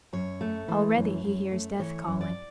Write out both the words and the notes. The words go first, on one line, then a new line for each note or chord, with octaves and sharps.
Already he hears death calling.
F#2 C#5
A3
E3
F#2
F#2
A3
E3 C#5
F#2
D5